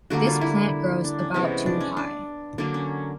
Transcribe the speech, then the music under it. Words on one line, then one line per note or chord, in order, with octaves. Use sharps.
This plant grows about to high.
D3 G3 A#3 F#4
F4
E4
D4
C#4
C3 E3 G#3 B3 C#4
D4
C#4
D4
D3 F#3 A#3 D4
C#4